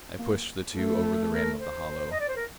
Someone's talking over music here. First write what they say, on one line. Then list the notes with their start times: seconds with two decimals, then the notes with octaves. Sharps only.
I pushed the two over the rim of the hollow.
0.18 A#3
0.75 A3
1.32 A#4
1.60 C5
2.11 D#5
2.20 D5
2.28 C5
2.36 A#4